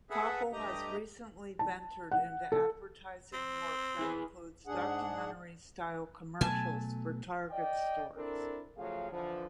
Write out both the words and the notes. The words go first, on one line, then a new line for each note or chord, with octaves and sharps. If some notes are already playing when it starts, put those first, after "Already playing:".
Kopple has recently ventured into advertising work that includes documentary-style commercials for Target Stores.
G#4 A4 B4 E5 F#5
G2 A3 G4 D#5 A#5
A5
F#5
A4
C4
E4 G#4 B4
G#2 D4 G#4 F#5
B2 F#3 A3 G#5 A5
D5 D#5 G5
C4 D4 E4 A4 A#4
C#3 F3 F#3 A3 G#4 F5
D3 E3 F3